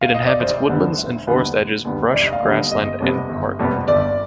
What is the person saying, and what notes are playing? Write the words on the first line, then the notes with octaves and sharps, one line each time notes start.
It inhabits woodlands and forest edges, brush, grassland, and parkland.
F5
D#5
D5
F1 C5
D#2 D3 G3 B3
F1
D#2 D3 G3 B3
F1
D#2 D3 G3 B3
F1 D5
D#5
F5
D#2 D3 G3 B3
D#5
G1 D#5
F2 C3 G3 B3
G1
F2 C3 G3 B3
G1 D5